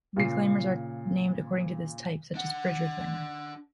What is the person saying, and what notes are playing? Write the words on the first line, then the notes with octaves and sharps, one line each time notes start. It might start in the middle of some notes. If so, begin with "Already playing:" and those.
Reclaimers are named according to this type, such as "Bridge reclaimer".
A#2 C#3 C7
D4 F#5